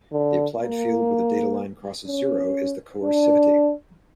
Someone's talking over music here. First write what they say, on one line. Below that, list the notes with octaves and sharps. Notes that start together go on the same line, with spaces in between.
The applied field where the data line crosses zero is the coercivity.
D3
A#3
C#4
D4